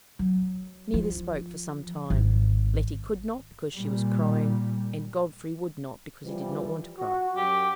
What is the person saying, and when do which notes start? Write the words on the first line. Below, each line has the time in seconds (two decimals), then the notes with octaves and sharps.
Neither spoke for some time; Letty could not because she was crying, and Godfrey would not because he did not want to cry.
0.19 F#3
0.94 F3
2.10 G#1
3.75 A#2 G3
6.25 E3 F3 G3
6.98 F#4
7.36 F#2 G4